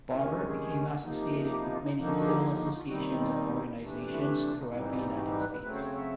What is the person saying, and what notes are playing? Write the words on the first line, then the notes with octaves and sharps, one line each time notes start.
Barbour became associated with many civil associations and organizations throughout the United States.
D2 C3 D#3 G#3 C#4 E4
A#4
A4
G#4
C3 F3 A#3 D#4
G4
E4
F4
D#4
D3 F3 A#3 D#4
F#4
F#4
G#4
G4
G#4
G4
F#4
F4
D#2 D#3 G3 C4 D#4 F#4
E4
E4
F4
E4
C3 E3 A3 D4
E4
E4
E4
F4
D#4
G#2 E3 G3 C4 D#4 E4
F4
F#4
G4
B4
B4
C#3 F#3 A3 C4 B4
C5
C#5
E5